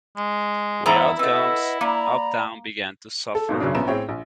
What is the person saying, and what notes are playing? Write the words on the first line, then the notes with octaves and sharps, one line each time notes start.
Without Combs, Uptown began to suffer.
G#3
E2 G2 E4 C5 E5 F#5 A#5
A3 C4 B4 D#5 F#5
A#3 D5 A#5 B5
A4
G#1 G#2 B2
F#1 C#3 F#3 C#4 D4
A#1 B3 C#4 A#5 E7
A2 C4 G#4 C#5 G5
A#1